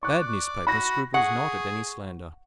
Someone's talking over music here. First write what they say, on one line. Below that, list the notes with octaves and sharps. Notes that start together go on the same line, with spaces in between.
A bad newspaper scruples not at any slander.
D5 C#6 F#6
F#4 B5 A#6
G#4 F#5 C#6